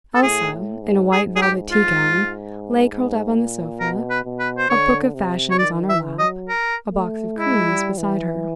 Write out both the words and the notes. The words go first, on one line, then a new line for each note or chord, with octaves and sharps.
Elsa, in a white velvet tea-gown, lay curled up on the sofa--a book of fashions on her lap, a box of creams beside her.
A4
A2 G#4
A2
G#2
G#2 G#4
G#4
G4
F4
G#2
A#2
B2 A#4
B4
B2
B4
C5
D3 C#5
C3
C#5
D#3 D5
E3 E5
F#3 D#5
A#4
A3
G#3 E4
G3
E3